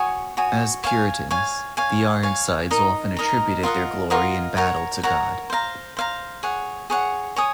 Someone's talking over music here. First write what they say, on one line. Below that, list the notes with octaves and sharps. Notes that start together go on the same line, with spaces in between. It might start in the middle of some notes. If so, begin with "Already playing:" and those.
As Puritans, the Ironsides often attributed their glory in battle to God.
Already playing: F#4 C#5 G#5 D#6
F#4 C#5 G#5 D#6
C#5 F5 G#5
C#5 F5 G#5
C#5 F5 G#5
C#5 F5 G#5
D#4 A#4 D#5 A#5
D#4 A#4 D#5 A#5
F4 A#4 D#5 F#5
F4 A#4 D#5 F#5
A#4 C#5 F#5 A#5
A#4 C#5 F#5 A#5
C5 F5 A#5
C5 F5 A#5
G#4 C#5 F#5
G#4 C#5 F#5
C#5 G#5 D#6